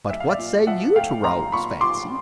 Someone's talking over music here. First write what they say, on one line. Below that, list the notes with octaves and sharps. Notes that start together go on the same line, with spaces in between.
"But what say you to Raoul's fancy?"
B1 E5
F5
D5 E5
A#2
F3 E5 F#5
A3 F5 G5
B1 A#5 C6
A#2 B5 C#6
F3 C6 D6